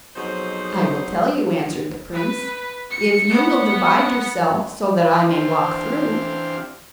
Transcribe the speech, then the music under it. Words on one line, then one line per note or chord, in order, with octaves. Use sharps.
'I will tell you,' answered the prince, 'if you will divide yourself so that I may walk through.'
F2 B2 F#3 D#4 G#4 C5
B4
C#7
B3 F#5
E3 C4 D4 G4 C5 F5